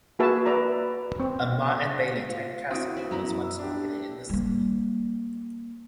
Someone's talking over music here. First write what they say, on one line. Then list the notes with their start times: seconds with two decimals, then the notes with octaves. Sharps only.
A motte-and-bailey-type castle was once located in the city.
0.19 A#3 F#4 G#4 B4 E5 A5
0.46 B4 D5 E5 A#5
1.20 C4
2.29 F4
2.71 C4 E4 F#4 D#6 D7
2.97 B4 C5 G#5
3.11 F#2 F#3 B3 E4 A#5 B5
3.41 E6
3.59 D4 G4
4.29 G3 A#3